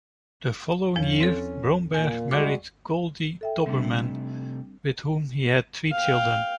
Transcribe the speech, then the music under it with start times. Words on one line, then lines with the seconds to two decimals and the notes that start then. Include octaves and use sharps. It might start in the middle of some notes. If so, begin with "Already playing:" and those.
The following year, Bromberg married Goldie Doberman, with whom he had three children.
0.96 E2 F3 C#4
1.20 C4 A4
1.94 A#2 G#5
2.31 G3 G#3 F#4 D6
3.41 A4 E5 G5
3.66 C3 G3 A3 C4 D4
5.92 F5 G5